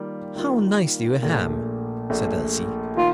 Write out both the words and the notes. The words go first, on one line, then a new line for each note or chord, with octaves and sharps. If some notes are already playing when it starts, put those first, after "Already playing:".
"How nicely you hem!" said Elsie.
Already playing: D#3 G3 A#3 F4
D#3 G3 A#3 F4
A#1 A#2 A3
A#1 A#2 A3
D#3 A#3 F4